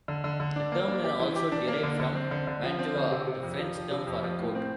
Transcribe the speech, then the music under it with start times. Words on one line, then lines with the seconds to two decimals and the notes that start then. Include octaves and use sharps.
The term may also derive from "manteau", the French term for a coat.
0.08 D3
0.24 D3
0.40 D3
0.56 D4
0.72 A#3
0.88 D4
1.04 G4
1.20 E3
1.36 G4
1.52 D4
1.67 A#3
1.83 D3
2.00 D3
2.15 C4
2.31 D3
2.47 D3
2.63 F3
2.79 C4
2.95 D3
3.11 C3
3.27 C3
3.43 F2
3.59 F3
3.75 F3
3.91 C3
4.07 F2
4.23 F3
4.39 A2
4.55 C4